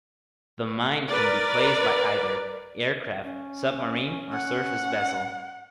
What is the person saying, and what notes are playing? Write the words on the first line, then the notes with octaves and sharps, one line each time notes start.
The mine can be placed by either aircraft, submarine or surface vessel.
A#4 B4 D5
C#4
F#5